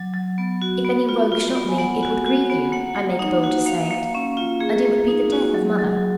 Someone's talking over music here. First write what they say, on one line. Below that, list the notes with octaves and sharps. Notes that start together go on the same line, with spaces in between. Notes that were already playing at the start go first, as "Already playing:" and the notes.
If any rogue shot me it would grieve you; I make bold to say it, and it would be the death of mother.
Already playing: F#3
F#3
B3
F#4
B3
F4
F4
B3
G#5
B3 F#5
F#4
F#4
B3
A#3 F#5
A#3
D#4 F#5
F#4 F#5
A#3 F5
A#3
C#4
F4
A#3 G#4
A#3
D#4
F#4
F#3
F#3